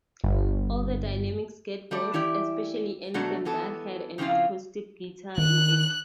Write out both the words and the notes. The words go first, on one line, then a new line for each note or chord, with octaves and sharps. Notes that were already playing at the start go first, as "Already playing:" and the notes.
All the dynamics get lost, especially anything that had an acoustic guitar in it.
G1
G3 A3 D5
E3 E4 G4 D5
B2 F#3 A3 D4 F#4
E3 B3 A4
C#3 F3 C4 E4 F4
D#3 F#6